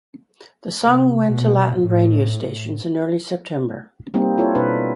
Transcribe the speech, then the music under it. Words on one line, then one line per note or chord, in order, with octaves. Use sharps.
The song went to Latin radio stations in early September.
C3
B2
A2
G3 A#3 C4 D#4
E4 F4 A4 C#5
B2 D4 B4